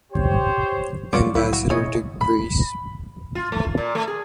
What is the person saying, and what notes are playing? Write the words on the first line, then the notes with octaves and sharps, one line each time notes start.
Ambassador to Greece.
G4 C5 C#5
C#4 F4 F#4 D5 C#6 D6
C2 A2 F#3 E4 B4 E5 F5
F#4
E1 B2 B3 E4 G#4 C#5 D#5
B5
F4
A3
F4
A#2
A3
G#4